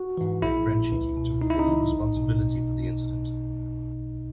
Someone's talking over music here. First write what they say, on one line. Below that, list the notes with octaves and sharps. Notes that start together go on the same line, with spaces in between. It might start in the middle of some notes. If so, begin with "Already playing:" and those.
Franchitti took full responsibility for the incident.
Already playing: F#4
G#2 E3
A#1 E4
A#2
C#2
B2
C#2 D#4
E4
D#4
C#3 E3
B1
B2